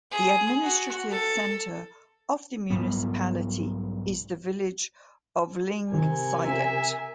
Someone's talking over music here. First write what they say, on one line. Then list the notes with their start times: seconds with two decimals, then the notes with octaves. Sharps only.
The administrative centre of the municipality is the village of Lyngseidet.
0.11 G#4
0.63 F#4
1.11 A4
2.70 B1 G#2 G3 B3
5.92 G#2 C3 D#3 A#4 G#5
6.44 C#3 F3 E5